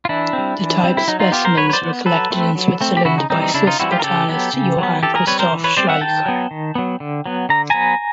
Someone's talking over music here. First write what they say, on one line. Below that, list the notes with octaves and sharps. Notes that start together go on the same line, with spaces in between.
The type specimens were collected in Switzerland by Swiss botanist Johann Christoph Schleicher.
F4
E3 D4 E4
C4
G3
E3
G3 C4
E4
F#3 D#4
D#4 F4
B3 F4 G4
A#4 C5
F#3 B4 C#5
C#5
C5 D5
B3
F#3 A4 B4
A3 C4
F#3
A3 C4
G4
C#3 E4 F#4
D#4
E3 G3 C4 D#4
D#4
C#3 D4 E4
D#4 F4
E3 G3 C4 E4 F#4
F4 G4
A#4
C#3 G4 A4
F#3 B3
C#3
F#3 B3
E3 G4 A4
G#4 A#4
G3 C4 B4 C#5
A#4 C5
E3
B4 C#5
G3 C4 C5 D5
E5 F#5
D#3 G5 A5
F#3 B3
D#3
F#3 B3
D3
F#3 B3
D3 A#5
F#3 B3 G#5 A#5